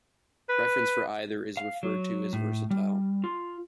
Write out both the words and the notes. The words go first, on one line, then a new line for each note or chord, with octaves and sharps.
Preference for either is referred to as "versatile".
B4
F5
F#3
A2
G3
F4